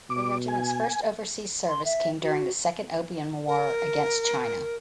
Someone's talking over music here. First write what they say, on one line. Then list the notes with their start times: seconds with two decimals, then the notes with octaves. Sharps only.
The regiment's first overseas service came during the Second Opium War against China.
0.10 B2 D6
0.48 G#5
1.68 C6
1.85 E5
2.22 F#4
3.47 A#4